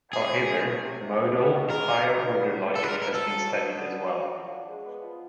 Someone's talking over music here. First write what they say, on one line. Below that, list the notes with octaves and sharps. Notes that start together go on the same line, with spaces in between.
However, modal higher-order logic has been studied as well.
C3 G#4
C3
E3
A3
C3
C3
E2
B3
B2
G#3 A#4
E2
B3
G2
B3
E3
G#3 A4
B4
A#4
G2
A#4
B3 A4
F#3
F#4
B3
D4
F#3
F#4
F3
D4
G#3
B3
F3